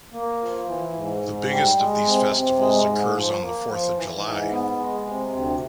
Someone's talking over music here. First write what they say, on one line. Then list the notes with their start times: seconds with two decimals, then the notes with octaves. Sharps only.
The biggest of these festivals occurs on the Fourth of July.
0.13 A#3
0.41 F3
0.68 E3
0.95 G#2
1.22 G#2
1.50 G3
1.77 G#3
2.05 C3
2.32 C3
2.60 G#3
2.87 G#2
3.14 F3
3.41 A#3
3.69 F3
3.96 E3
4.23 G#2
4.51 B3
4.78 G#3
5.05 C3
5.33 D2